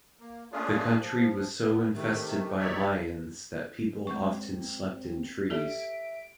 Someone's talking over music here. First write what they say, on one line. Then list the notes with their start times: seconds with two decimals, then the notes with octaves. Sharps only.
The country was so infested by lions that people often slept in trees.
0.19 A#3
0.52 A3 A#3 C#4 D4 F4 G#4
0.98 F3
1.64 E2 B3
1.94 C3 D#3 A3
2.59 D#4 C#5 D5 E5
4.07 G#3 C4 C#6
5.50 G4 A4 D5 E5 D7